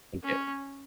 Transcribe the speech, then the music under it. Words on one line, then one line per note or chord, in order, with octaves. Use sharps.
And get
C#4